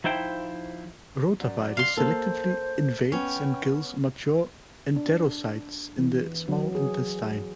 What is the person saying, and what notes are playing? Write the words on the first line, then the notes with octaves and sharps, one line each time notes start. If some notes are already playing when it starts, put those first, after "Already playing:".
Rotavirus selectively invades and kills mature enterocytes in the small intestine.
F3 D#4 E4 C5 G5
F#2 D5
F5 C6
A#3 A4 C5
B3 C#4 C#5 G5
D4
E3
F#3
G#4